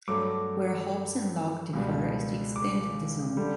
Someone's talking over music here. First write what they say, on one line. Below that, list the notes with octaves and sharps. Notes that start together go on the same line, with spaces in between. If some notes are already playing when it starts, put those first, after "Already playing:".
Where Hobbes and Locke differ is the extent of the zone.
G2 F#3 A3 D6
C#2 B2 G3
D6
D3 G3